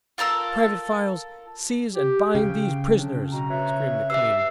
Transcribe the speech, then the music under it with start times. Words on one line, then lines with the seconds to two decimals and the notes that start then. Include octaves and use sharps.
"Private Files, seize and bind these prisoners!" screamed the Queen.
0.18 F4 A4 A#4 E6
1.95 G4
2.35 C#3 G5
2.97 F#3 C4 D4
3.32 B2 A#5
3.50 B4 C#5 E5
4.10 G4 B4 E5 E6 C7